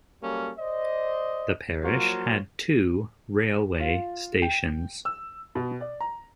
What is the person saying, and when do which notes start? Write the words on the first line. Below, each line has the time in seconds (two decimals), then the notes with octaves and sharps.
The parish had two railway stations.
0.22 F#3 G3 A#3 C#4 A4
0.58 C5 D5 D#5
1.82 F3 F#3 A#3 F4 C#5
3.80 F4
4.42 G5
5.05 E6
5.55 B2
5.80 D5
6.01 A#5